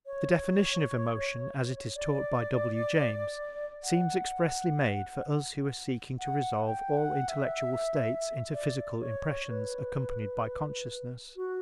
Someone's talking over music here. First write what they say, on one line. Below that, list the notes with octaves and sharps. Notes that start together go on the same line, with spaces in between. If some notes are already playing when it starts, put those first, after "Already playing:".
The definition of emotion, as it is taught by W. James, seems expressly made for us who are seeking to resolve all intellectual states into physical impressions accompanied by consciousness.
C#5
D5
F#5
F#5
G5
F#5
E5
D5
C#5
B4
F#4